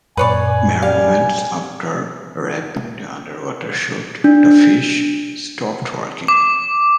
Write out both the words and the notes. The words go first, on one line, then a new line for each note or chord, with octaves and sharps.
Mere moments after wrapping the underwater shoot, the fish stopped working.
F#2 A#2 B4 C#5 D5 G#5
G3 F5
D4
D6